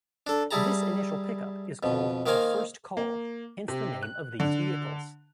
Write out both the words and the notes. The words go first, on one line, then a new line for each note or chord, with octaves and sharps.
This initial pickup is called the "first call", hence the name of these vehicles.
D4 A4
G3 E4 G#4 A5 A#5
F2 B2
D#3 A#3 A#4 C5 F5 G#5
A#3
C3
F#6
D3